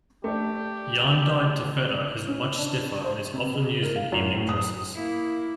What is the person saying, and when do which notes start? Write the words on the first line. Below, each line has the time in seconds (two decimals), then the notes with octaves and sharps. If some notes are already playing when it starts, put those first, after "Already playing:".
Yarn-dyed taffeta is much stiffer and is often used in evening dresses.
0.24 A3 D4 G4
2.28 C#4
2.58 D4
3.04 C5
3.34 C3
3.54 G#4
3.83 A#4
3.96 F5
4.12 F#2
4.34 A2
4.49 D#6
4.95 A#3 E4